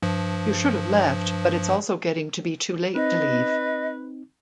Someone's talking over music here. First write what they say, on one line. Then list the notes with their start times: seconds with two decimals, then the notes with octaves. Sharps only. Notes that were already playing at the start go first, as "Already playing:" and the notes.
You should have left, but it’s also getting to be too late to leave.
0.03 G2 F3
2.95 C4 D#4 B4 D#5